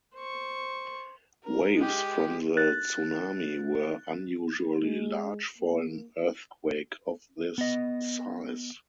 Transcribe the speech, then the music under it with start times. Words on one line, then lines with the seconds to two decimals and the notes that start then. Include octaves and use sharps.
Waves from the tsunami were unusually large for an earthquake of this size.
0.15 C5 C#6
1.44 A#4
1.76 G#3 G4
2.57 F#6 A6
4.78 G#3
5.58 A#3
7.58 B3 D#5